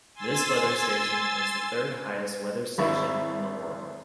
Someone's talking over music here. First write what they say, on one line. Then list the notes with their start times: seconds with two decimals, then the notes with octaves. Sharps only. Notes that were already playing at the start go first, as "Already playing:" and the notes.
This weather station is the third-highest weather station in the world.
0.14 G#5 C6 E6 A6
2.78 G#1 E4 E5 B5 C#6 A6